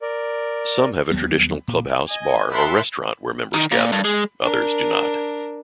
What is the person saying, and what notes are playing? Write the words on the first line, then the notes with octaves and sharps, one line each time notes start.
Some have a traditional clubhouse, bar, or restaurant where members gather; others do not.
A#4 D5
D#2 F#3 G3 B3
A#2
D#5 G#5
A#4 E5 F#5 A5 B5 C6
D#3
A#2
G2
G#3
D4 A#4